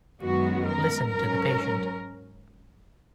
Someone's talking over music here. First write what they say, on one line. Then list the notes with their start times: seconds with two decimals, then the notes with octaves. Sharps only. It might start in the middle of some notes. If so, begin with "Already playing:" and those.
Listen to the patient.
0.22 F#2 D#3 G#3 B3 F#4
0.66 A#4
1.12 G#2 F#3 C#4 A#4